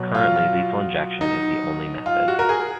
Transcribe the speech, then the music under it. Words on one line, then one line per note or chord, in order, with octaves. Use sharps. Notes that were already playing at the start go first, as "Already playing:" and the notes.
Currently, lethal injection is the only method.
Already playing: B2 F#3
F4
F4
D#4
F4
F#4
A#4
G#4